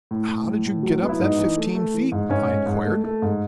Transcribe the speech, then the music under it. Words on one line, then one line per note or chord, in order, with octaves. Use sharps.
"How did you get up that fifteen feet?" I inquired.
A2
A2
A2
A2
F#3
B3
E4
G#2 D#4
E3
A3
A3
E3
G#2
G#2 C#4
G#2
G#2
A3
A3
G#2